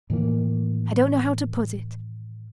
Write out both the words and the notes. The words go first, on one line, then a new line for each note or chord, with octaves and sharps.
I don't know how to put it.
A2 D#3 E3 A#3